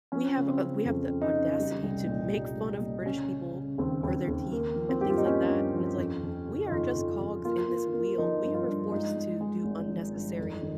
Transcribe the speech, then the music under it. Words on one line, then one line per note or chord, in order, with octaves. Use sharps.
we have a we have the audacity to make fun of British people for their teeth and things like that, when it's like, we are just cogs in this wheel, we were forced to do unnecessary
F3 C#4
C#3
C4
C#3
F2
C#3
D#4
C#3
G3
C2
A#2
G3
G3
A#2
C#3 C#4
C#3
C#3
D#2 C4
D#2
D#2
A#3
F3
C4
G2 G4
F4
D#4
A#3 C#4
G2
F3
F2
F2
C#3
D#4
F2 F4
F2
F2
A#3 F4
A#3
A#3
F3 D#4
G2
F4
G2
G#3 D#4
G#3
G#3
G#1
F3
G2
F2
D#3